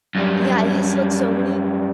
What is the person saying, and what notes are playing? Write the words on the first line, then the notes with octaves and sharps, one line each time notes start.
Yeah, it has, like, so many
F#2 G3